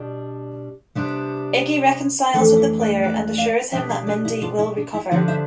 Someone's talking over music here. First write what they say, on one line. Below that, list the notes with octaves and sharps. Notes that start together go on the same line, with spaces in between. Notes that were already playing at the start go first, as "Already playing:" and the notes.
Iggy reconciles with the player and assures him that Mindy will recover.
Already playing: B2 G3 D4
C3 G3 B3 D4
F2 E3 A3 D4 F4 A4
E4
B4 D5
B4 D5
D5 F5
B2 G3 B3 D4 E5 G5
D5 F5
B4 D5
E4
D4 F4
E4
D4
E4
D3 F3 B3 D4 E4 G4
C5 E5